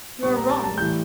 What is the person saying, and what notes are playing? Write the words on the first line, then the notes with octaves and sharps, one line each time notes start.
You are wrong!
A#2 G3 C#6
A#5
A5
A5
A2 E3 G3 G6